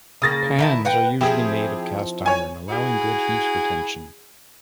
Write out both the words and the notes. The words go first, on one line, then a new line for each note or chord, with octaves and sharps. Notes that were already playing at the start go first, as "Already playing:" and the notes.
Pans are usually made of cast iron, allowing good heat retention.
C#3 A#3 D#6 A6 A#6
D#3 E4 A5
B4 F#5 G5
F3 C4 E4 G4 G#4
C#5 G#5
E4 F#4 G#4